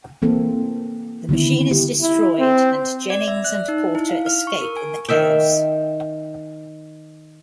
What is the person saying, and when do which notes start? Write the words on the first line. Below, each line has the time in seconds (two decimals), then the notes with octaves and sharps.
The machine is destroyed, and Jennings and Porter escape in the chaos.
0.22 E3 A#3 C4 A4
1.29 D3 D#3 B3 E4
1.71 G4
2.01 E4
2.39 C4
3.10 D5
3.28 E5
3.44 F#6
3.68 D#4
3.95 E4
4.09 F5
4.26 F6
4.47 C#6
4.61 A#4
4.77 G#5
5.09 D#3 E5 G5